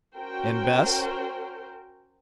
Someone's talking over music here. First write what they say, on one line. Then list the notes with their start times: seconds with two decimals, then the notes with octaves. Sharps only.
And Bess?
0.14 C#4 F#4 A#4 C5 G5